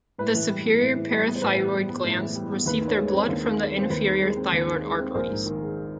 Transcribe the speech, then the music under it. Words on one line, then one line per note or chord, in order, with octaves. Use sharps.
The superior parathyroid glands receive their blood from the inferior thyroid arteries.
A2 B4
E3
G3
B3
A2
E3
G3
B3
C5
A2 B4
E3
G3
B3
A2
E3
G3
B3
D#2 B4
D#3
B4 C#5
G#3
B4 C#5
C4
D#2
D#3
G#3
C4 C5
D#2 B4
D#3
G#3
C4
D#2
D#3
G#3
C4
A#1 A#4 C5
G#2
D#3
G#3